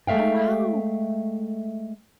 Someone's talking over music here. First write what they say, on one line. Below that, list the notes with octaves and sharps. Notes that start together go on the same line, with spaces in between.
Oh, wow.
G#3 A3 E5 F5 G5